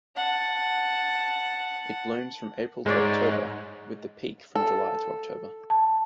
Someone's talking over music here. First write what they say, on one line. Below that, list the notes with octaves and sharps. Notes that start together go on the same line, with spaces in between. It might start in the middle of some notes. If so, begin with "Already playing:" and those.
It blooms from April to October with the peak from July to October.
F#5 A5
G#2 G#3 C#5 D5
A4
A5